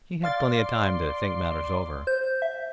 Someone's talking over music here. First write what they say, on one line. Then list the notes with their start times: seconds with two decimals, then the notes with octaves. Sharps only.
He had plenty of time to think matters over.
0.24 D5 F5 C6 F6 A6
2.07 C5 G6
2.42 E5